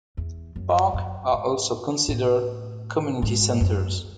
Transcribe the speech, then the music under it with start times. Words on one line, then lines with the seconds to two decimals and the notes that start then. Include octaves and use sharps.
Parks are also considered community centres.
0.17 E2
0.56 F#2
0.94 F#2
1.33 G#2
2.08 A2
3.22 G#2
3.61 F#2